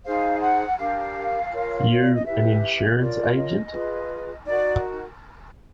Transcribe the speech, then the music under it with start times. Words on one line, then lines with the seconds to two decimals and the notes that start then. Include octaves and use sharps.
You an insurance agent?
0.05 D#4 G#4 C5 F5
0.42 F#5
0.78 D4 G4 A#4 F5
1.52 F4 A#4 C#5
2.02 D5
2.14 D#5
2.26 E4 G4 B4 E5
2.99 F4 A#4 C#5 D5
3.36 D#5
3.72 F4 G#4 B4
4.45 D#4 F#4 A#4 D5